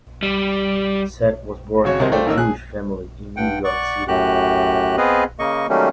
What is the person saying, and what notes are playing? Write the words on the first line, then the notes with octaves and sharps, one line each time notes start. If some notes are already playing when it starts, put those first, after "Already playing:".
Sack was born to a Jewish family in New York City.
G3
G#1 C#3 F#4 C#5
C2 C3 A#4 C5 D#5
A3 F4 A4 C5 D5 G5
A1 D#3 A#3 A#4 D#5 E6
G#4 F#6
G2 F#5 G5
D5 F#5 C#6
F#2 A2 F#4 G4 F#6
B3 C4 G#4 B4 D#5 F5
C#3 A#3 D#5 C#6
D#3 F#3 G3 A3 A#3 C#4